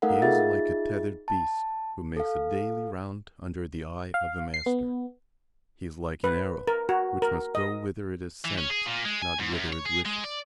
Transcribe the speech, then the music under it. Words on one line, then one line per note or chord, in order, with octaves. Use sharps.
He is like a tethered beast who makes a daily round under the eye of a master; he is like an arrow, which must go whither it is sent, not whither it wishes.
A3 D#4 A4 A#4 F5 F#5
D#4 F4 G#4 E5 A6
A5
A4 F5
F5
C7
B3
B4
A#4
F#4
A#4
D#5
E3
C#4
G#4
A#2
G#3
G#5
G#2
F#2
C#5
G#4
G#3
D5